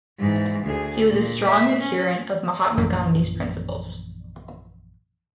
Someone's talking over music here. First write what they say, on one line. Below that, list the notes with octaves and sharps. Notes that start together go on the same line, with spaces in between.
He was a strong adherent of Mahatma Gandhi's principles.
G#2 E3
D2 G#4
A#2
E5
C#4
A#1 F#2 E3